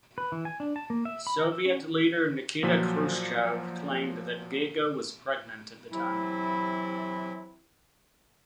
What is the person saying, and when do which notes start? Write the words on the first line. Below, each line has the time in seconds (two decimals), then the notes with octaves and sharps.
Soviet leader Nikita Khrushchev claimed that Gega was pregnant at the time.
0.18 B4
0.32 E3
0.45 G#5
0.60 D4
0.76 A5
0.90 A#3
1.05 E5
1.27 B5
1.39 A#4
1.52 E6
1.66 C#4
2.63 A#2 F3 F#3 B6
5.92 C3 E3 F#3 E4